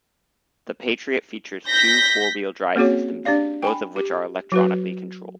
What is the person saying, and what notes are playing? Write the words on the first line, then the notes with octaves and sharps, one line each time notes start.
The Patriot features two four-wheel drive systems both of which are electronically controlled.
G6 A#6 B6
A#3 C4 C#4 F#4 G#4 C#5
D4 G4 D5 F5
G5 G#5 B5
G4
F#3 F#4 B4